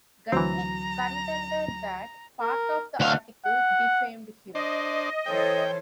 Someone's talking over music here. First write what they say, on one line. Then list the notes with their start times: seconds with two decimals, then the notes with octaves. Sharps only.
Gutnick contended that part of the article defamed him.
0.32 D2 E3 F#3 C4 A#5
2.41 A#4
3.00 D2 F5 F#5
3.45 F#5
4.55 D4 C5 D#5
5.26 E3 A4 C5 C#5 G5